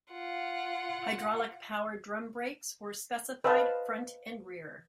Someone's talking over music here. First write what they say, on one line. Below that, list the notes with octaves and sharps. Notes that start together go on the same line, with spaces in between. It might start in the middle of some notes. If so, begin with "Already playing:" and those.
Hydraulic power drum brakes were specified front and rear.
F4 F#5
B4 C5 D#5 F5 A5